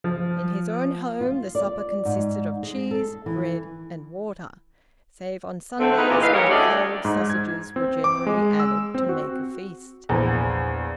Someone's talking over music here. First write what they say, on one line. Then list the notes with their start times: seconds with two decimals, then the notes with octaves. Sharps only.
In his own home the supper consisted of cheese, bread, and water, save on Sundays, when cold sausages were generally added, to make a feast.
0.04 F3
1.21 F4
1.55 D5
2.05 G#2
2.63 G#3
2.91 A4
3.26 E3
5.80 D3 F#3 A3 C4
5.97 D#4 F4 G#4 B4
6.10 A#2 C#3 E3 E4 G4
6.21 E3 F#3 D#4 B4 F5
6.33 G3 G4 G#4 A#4 C#5
6.50 D2 D3 A3 C#4 D5 D#5
7.05 G#2
7.30 G#6
7.76 C4
8.04 D6
8.27 G#3
8.60 E6
8.95 C4
9.09 F#4
10.09 A#1 E2